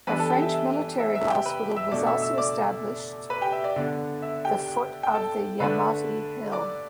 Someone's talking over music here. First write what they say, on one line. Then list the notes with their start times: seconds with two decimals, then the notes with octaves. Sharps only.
A French military hospital was also established the foot of the Yamate hill.
0.07 E3 G3 B3 D4 B4 B5
0.19 A4 A5
0.30 G4 G5
0.42 E5
0.53 E5
0.99 E5
1.15 E5
1.30 G4 G5
1.45 B4 B5
1.76 E5 E6
1.91 B2 A3 D4 D5 D6
2.07 E5 E6
2.22 E5 E6
2.38 D5 D6
3.30 B4 B5
3.41 G4 G5
3.52 E5
3.64 D5
3.76 D3 B3 D4 D5
4.22 E5
4.45 G4 G5
5.03 G5
5.14 A4 A5
5.60 D3 A3 D4 B4 B5
6.52 D5 D6